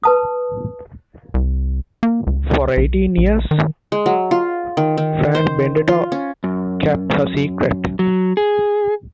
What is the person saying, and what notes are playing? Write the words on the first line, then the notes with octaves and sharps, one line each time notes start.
For eighteen years, Fran Benedetto kept her secret.
B4 A5 D#6
C2
A#3
C#2
B1
A#1
D#3
G#3
F#3
F4
D#3
D#3
C5
F4
C#4
F#2
F#3
G#4